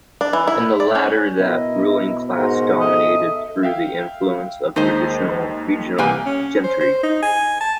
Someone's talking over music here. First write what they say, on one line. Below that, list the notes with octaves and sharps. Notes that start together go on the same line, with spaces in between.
In the latter, that ruling class dominated through the influence of traditional regional gentry.
D4
E3
E4
D5
C#4
B2 E4 A#4 D#5
G#2 F#4 A#4 C6
A4 D#5 E5
E5 F5 G5
D#2 D#3 G#3 D#4 C5 D#5
C2 A#3 G4 G#5 F#6
C#4
C5
C5
D#4
G#5
A5